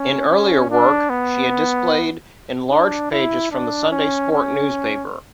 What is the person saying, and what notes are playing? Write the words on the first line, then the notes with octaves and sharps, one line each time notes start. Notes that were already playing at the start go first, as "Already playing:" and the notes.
In earlier work, she had displayed enlarged pages from the "Sunday Sport" newspaper.
Already playing: C#4
C#4
D4
B3
D4
E4
D4
C#4
C#4